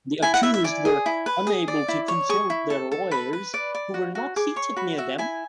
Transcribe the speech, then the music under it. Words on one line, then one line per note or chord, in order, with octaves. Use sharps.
The accused were unable to consult their lawyers, who were not seated near them.
E4 G#5
F#5
E4 E5
E5
D5 G#5
G#4
E4
B4
G#4
D5
E4
C#5
G#4 C#6
E4
A4
A4
B4 B5
B4
D5
D5
F#4
F#4
G#4 D6
C#5 C#6
F#4 B5
F#4 E5
E4 G#5